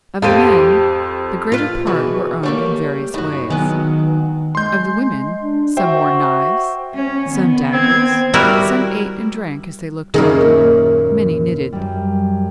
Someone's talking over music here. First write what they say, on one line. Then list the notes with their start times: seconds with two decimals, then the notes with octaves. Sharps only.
Of the men, the greater part were armed in various ways; of the women, some wore knives, some daggers, some ate and drank as they looked on, many knitted.
0.22 F2 G4 A4 C5 F5 D#7
1.52 F4 B4
1.87 B2 E3 F#4 G#4 B4
2.43 G3 A3 A#3 C#5
3.14 F#2 A2 D#4 F#4
3.50 D#3 F#3 G#3 B3
4.55 G#3 C6 G6
5.41 D4
5.77 F#4 C5 E5 G5
6.95 C#4
7.29 D#3 B3
7.72 C4 G#6
8.34 G3 E4 F#4 A#4
10.14 F#2 A#2 D#3 E4 G#4 A#4
10.41 D#2
11.73 F#2 G3